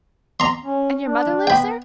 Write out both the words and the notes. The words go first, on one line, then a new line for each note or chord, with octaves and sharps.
And your mother lives there?
A#5 C6
C#4
D4
B3 G5 B5